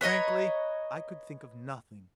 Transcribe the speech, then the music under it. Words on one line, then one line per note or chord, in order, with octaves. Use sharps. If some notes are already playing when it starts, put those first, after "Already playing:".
Frankly I could think of nothing.
B4 C#5 D#5 A#5